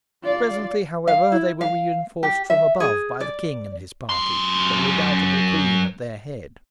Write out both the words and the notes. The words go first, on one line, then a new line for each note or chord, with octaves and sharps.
Presently, however, they were reinforced from above by the king and his party, with the redoubtable queen at their head.
F4 D5
F5
E4
F5
G4
E5
G#4
D5
F#2 C6